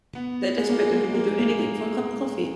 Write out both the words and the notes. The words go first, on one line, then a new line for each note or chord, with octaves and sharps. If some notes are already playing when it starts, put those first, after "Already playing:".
They're desperate and will do anything for a cup of coffee.
B3
G#3
A#3
G#3
A#3
G#3
A#3
G#3
A#3
G#3